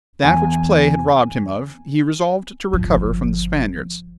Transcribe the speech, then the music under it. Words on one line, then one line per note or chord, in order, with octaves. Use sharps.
That which play had robbed him of, he resolved to recover from the Spaniards.
E2 G#5
G1 F3